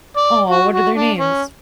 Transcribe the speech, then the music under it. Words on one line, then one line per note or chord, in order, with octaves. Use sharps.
Aw, what are their names?
D5
F#4
F#4
D4
C#4